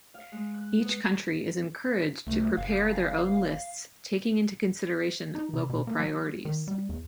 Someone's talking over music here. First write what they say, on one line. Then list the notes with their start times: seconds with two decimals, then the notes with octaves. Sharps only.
Each country is encouraged to prepare their own lists taking into consideration local priorities.
0.14 F5
0.32 G#3
0.54 F#6
0.81 B3
2.27 C2 A3
2.57 F#1 F5
5.35 D#4
5.53 C3
5.70 B2
5.87 A#3
6.00 F#3
6.45 D#3
6.68 G3
6.89 E2